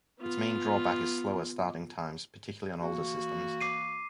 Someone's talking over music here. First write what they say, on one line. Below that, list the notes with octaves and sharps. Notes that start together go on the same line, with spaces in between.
Its main drawback is slower starting times, particularly on older systems.
B3 F4
E3 A#3 F#4
D6 C7 D#7